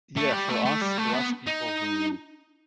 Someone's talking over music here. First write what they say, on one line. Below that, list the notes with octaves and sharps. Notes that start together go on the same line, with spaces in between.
Yeah, for us for us people who
A3
G3
A3
A3
G3
A3
B3
D#4